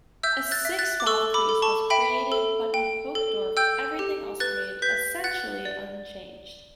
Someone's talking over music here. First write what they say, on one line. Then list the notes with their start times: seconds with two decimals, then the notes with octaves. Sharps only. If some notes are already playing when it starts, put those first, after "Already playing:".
A sixth Wahlkreis was created, but in Hochdorf everything else remained essentially unchanged.
0.23 E5 E6 G6
0.51 F#6 A6
0.65 E5
0.79 F#6 A6
1.00 D6
1.06 A4 C#6 E6
1.34 B5 D6
1.49 A4
1.62 A5 C#6
1.90 E5 G5 B5
2.32 A4
2.74 G5
3.15 A4
3.57 G5 E6 G6
3.99 G4
4.40 B4 F#6 A6
4.82 B4 G6 B6
5.24 F#5 F#6 A6
5.65 D5